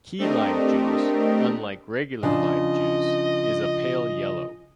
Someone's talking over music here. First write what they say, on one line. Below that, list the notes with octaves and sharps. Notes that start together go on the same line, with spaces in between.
Key lime juice, unlike regular lime juice, is a pale yellow.
A3 C4 D4 G4 A#4 D#5
C#3 F3 D4 D#5